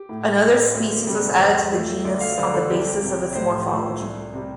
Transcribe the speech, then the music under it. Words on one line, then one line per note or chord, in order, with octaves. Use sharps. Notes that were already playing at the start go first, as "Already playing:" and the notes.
Another species was added to the genus on the basis of its morphology.
Already playing: G4
A2
G3
D2
C3 G3
F2 C5
F3 A3
D2 D5
F5
D3 G3 C5
A4
C2 G4
C3 G3
A2 C5
F3 A3
C2
C3 G3